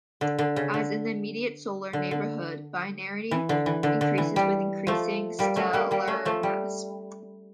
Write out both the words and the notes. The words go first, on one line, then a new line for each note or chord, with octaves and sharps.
As in the immediate Solar neighborhood, binarity increases with increasing stellar mass.
D3
D3
C#3
D3
D3
D3
E3
D3
E3
D3
D3
E3
G3
F3 A3
G3 A#3
A3 C#4
G3 A#3
G3 A#3
A3 C#4
F3 A3
G3